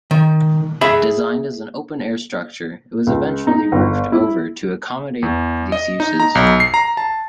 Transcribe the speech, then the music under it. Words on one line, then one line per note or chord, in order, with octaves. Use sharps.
Designed as an open-air structure, it was eventually roofed over to accommodate these uses.
D#3
G#4 E5 B5
C#2
D#4
G1
E4
E2
D#5
D#4
A#5
B1
C7
A#5
A5